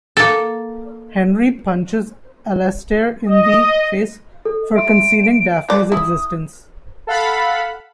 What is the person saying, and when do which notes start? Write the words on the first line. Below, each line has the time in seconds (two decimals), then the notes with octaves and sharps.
Henry punches Alastair in the face for concealing Daphne's existence.
0.17 A#3 A4
3.26 D#5
4.45 A4
4.76 E5 C6 D7
5.69 F4 D5
5.92 E4 D#6
7.07 A4 F5 F#5 B5